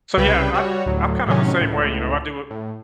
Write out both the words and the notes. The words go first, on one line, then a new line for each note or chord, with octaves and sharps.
So, yeah, I I'm kind of the same way, you know. I do a
C2 C#3 G3 B4 G5
G3 F#4 C#5
D2 A2 F#3
A2 C3 D#3 F#3 C#4
C#2 A2
A2